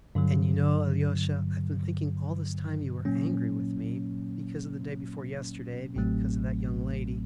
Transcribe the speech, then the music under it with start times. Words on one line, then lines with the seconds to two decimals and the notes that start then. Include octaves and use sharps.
And you know, Alyosha, I've been thinking all this time you were angry with me, because of the day before yesterday, because of that young lady.
0.15 G2 D3 F#3
3.05 A#2 F#3 A#3 C#4
5.96 A1 A2 F#3 A3 C4